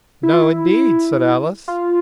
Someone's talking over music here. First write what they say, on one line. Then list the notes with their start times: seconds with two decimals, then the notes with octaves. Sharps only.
'No, indeed,' said Alice.
0.23 E4
0.33 F4
0.42 E4
1.68 F4